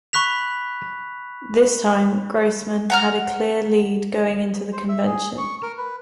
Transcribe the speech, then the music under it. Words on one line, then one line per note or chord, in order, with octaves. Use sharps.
This time, Grossman had a clear lead going into the convention.
B5 C#6 F#6 B6 F7
F#5 A#5 F6
C5
E5
G#4
C#6
A#4
B4